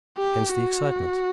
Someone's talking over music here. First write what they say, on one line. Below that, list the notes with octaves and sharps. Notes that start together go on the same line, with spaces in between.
Hence the excitement.
G4
F#4